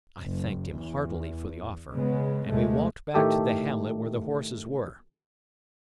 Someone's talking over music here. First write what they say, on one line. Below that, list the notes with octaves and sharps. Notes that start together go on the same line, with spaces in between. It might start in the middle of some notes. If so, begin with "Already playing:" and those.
I thanked him heartily for the offer, and we walked back to the hamlet where the horses were.
F#1
E2
C#3 G#3 B3
D#2 C3 G#3 A3
A2 D#3 A3 G4 A4